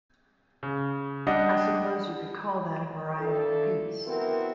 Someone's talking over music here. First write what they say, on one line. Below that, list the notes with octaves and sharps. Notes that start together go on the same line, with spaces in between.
I suppose you could call that a variety of peace.
C#3
G3 D4 D#5 F#5
D4 E4 F4 A4
B3 C4 E4 F#4 A#4